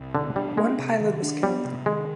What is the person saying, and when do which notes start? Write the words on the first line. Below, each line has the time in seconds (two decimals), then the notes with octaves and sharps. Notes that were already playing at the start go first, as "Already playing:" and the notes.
One pilot was killed.
Already playing: C2
0.14 B2 D3
0.36 G3 D4
0.58 G#3 B3
0.79 C3
1.00 D#3
1.22 D4
1.43 G3 B3
1.65 C3
1.86 D#3 G#3